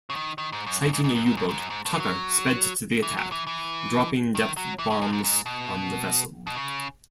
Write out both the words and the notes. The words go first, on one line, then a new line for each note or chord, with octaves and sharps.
Sighting a U-boat, "Tucker" sped to the attack, dropping depth bombs on the vessel.
C#3
D#3
D#3
G#2
F#2
F#2
G#2
G#2
F#2
G#2
F#2
G#2
F#2
G#2
A2
E3
F#3
E3
F#3
E3
E3
D#3
F#3
E3
C#3
A2
G#2
G#2
B2
B2
C#3